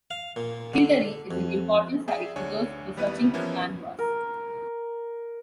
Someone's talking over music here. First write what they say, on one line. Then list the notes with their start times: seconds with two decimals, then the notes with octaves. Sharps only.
Kildary is an important site for those researching the Clan Ross.
0.11 F5
0.36 A#2
0.73 D3
1.31 F2
2.08 G#4 D5 E5 G5
2.36 D2 D4 C#5 G#5
2.97 D#2 G3 B3 E4 B4 D#7
3.34 E3 F3 A#3 B3 C#4 E4
3.99 A#4